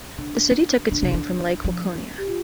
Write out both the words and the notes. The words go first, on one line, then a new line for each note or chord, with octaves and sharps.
The city took its name from Lake Waconia.
D3 D4
D3 D4
C3
D3
F3
G4
F4